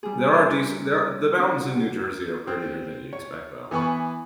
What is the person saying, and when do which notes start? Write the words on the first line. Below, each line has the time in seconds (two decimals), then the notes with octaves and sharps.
There are decent there are the mountains in New Jersey are prettier than you expect, though.
0.03 G3 G#4
0.34 A#5 C6
1.39 C4 D4 F#4
2.47 C4
3.13 C#5
3.71 E3 B3 G#5 B5 C#6